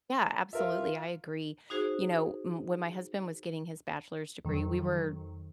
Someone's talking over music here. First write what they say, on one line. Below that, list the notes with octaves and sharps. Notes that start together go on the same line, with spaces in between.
Yeah, absolutely, I agree. You know, m when my husband was getting his bachelor's degree, we were,
F4 A#4 E5
D#4 F#4 G#4 C5
F2 D#3 F#3